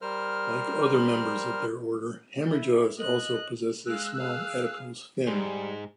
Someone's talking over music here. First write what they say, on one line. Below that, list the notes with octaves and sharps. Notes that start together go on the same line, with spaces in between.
Like other members of their order, hammerjaws also possess a small adipose fin.
G3 A#4 C5 F6
E4
D#5 F#6
G#3 F5 E6 F#6
G#4 F5
G#2 G3 G#3